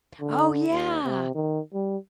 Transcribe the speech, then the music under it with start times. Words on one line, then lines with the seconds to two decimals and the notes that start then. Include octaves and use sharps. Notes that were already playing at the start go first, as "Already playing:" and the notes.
Oh yeah,
0.21 D3
0.71 D#2
1.04 C3
1.35 D#3
1.74 G3